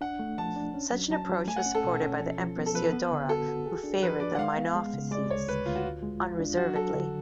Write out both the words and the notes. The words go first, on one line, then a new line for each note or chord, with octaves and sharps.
Such an approach was supported by the Empress Theodora, who favoured the Monophysites unreservedly.
D4 F#5
A3
F3 A5
D4
C#4
F#3
F#3 A5
F#3
A3 G#5
F#5
C#4
A4
B2
C#4
F3
F3
B3
A4
F3 B4
B3
D3
F#4 A4
F#4
G#4
D4
F3 B4
D4 D5
F#5
G#3 F5
B3
G#3
C#3
G#3 D5
D2 C#5
D2 B4
D2 F4
F#4
F4
G#3
F4
D4
F#3 F#4
F#3 A4
D3